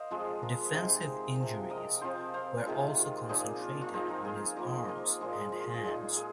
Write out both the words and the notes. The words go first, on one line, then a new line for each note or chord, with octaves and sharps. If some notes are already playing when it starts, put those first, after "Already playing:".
Defensive injuries were also concentrated on his arms and hands.
Already playing: A#4 C5 D#5 F5
F3 G#3 C4 F4 G#4
F4 A#4
C3 G#3 C4 D#4 G#4 C5
C3 F3 C4
A#4 D#5
F3 C4 F4 C5 F5
C5 F5
C3 D#3 G#3 F4
F4
A#2 F3 A#3 D#4 G#4
F4
F4
F3 C4 D#4 G#4
F4 A#4
G#4 C5
F3 A#3 F4 A#4 D#5
F4 A#4
A#2 F3 G#3 G#4
F4
F4
G#4
A#2 G#3 D#4 F4
G#4